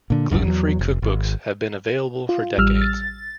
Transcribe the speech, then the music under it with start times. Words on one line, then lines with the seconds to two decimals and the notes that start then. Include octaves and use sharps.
Gluten-free cookbooks have been available for decades.
0.10 A#2 D3
0.31 G#1 C#2 F#2
0.44 E2 F#3
0.79 F1
1.02 G#1
2.29 F4
2.58 A1 G3 E6 F6
2.82 A6